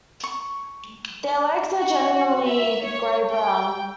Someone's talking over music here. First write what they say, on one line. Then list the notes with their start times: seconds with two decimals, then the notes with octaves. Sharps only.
Their legs are generally grey-brown.
0.23 C#6
1.76 F#4
2.45 E5
2.83 C#5
3.30 G5